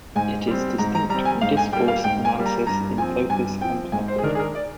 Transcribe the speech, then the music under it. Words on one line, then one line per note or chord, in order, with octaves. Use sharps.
It is distinct from discourse analysis in focus and method.
G#2 G#5
G3 C4
G#2 A#5
A#5
G3 C4 A#5
G#5
G#2 F5
G#5
G3 A#3 G5
F5
G#2 G5
G#5
G3 A#3
A#5
G2 A#5
F3 C4 G#5
G2 G#5
F3 C4 G5
G#2 G#5
C5
G#4
D#3 G#3 D4 A#4
G#4
A#4
D5